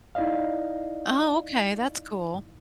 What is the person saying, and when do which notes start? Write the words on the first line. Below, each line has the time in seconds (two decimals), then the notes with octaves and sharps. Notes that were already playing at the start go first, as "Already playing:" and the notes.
Oh, okay, that's cool.
0.15 D#4 E4 D5 D#5 F5